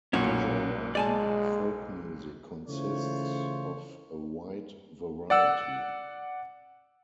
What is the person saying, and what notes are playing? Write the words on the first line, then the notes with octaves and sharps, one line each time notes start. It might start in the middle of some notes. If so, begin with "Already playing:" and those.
Gujarati folk music consists of a wide variety.
B1 F#2 A#2 A#3 C#4 F#4
G#3 D5 G#5 A5
C#3 E3 A3 F4 C5 C#5
D5 F#5 E6